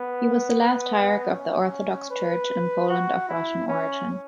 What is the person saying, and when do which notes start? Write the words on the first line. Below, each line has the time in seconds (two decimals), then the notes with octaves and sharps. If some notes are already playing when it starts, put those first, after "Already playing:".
He was the last hierarch of the Orthodox Church in Poland of Russian origin.
Already playing: B3
1.31 C#4
2.10 B4
2.89 F#4
3.29 E4
3.68 C#4